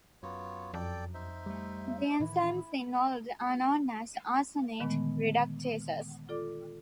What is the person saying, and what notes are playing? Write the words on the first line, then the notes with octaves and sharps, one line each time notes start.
The enzymes involved are known as arsenate reductases.
F#2 B3 F4 C#5
F2 A4 D5 G5
D#4 C5 E5
G3 A3
A2 D#3 E3 E4
A#2 D3 D#3 G#3 A3 B3
F4 A4 D5 D6